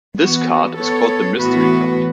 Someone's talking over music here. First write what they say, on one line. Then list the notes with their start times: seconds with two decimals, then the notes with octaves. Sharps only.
This card is called the mystery card.
0.16 E3 B3 F#4
0.76 B3 A4 C#5
1.36 A2 E3 B3 F#4 B4